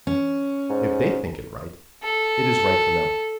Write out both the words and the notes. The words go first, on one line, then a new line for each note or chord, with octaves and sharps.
If they think it right, it is right for them.
C#4
G#2
A4